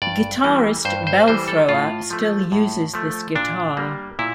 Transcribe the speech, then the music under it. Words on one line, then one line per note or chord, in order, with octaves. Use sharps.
Guitarist Belthrower still uses this guitar.
G2 D5
E3 G3 A#3
G2 C5
C5
E3 G3 A#3 C5
A4
A2 F4
F3 A3
A2
F3 A3
A#2 D4
G3 A#3
A#2 E4